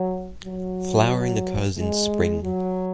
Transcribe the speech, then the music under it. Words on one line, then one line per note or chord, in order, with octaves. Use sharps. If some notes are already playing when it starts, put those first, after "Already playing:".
Flowering occurs in spring.
Already playing: F#3
F#3
G#3
F#3